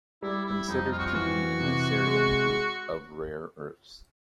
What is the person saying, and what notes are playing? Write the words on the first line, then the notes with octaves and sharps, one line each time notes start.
Considered to be in the cerium group of rare earths.
G3 E4
E4
F2 D#4
F4
F#4
F4
E3 F#4
C3
G#3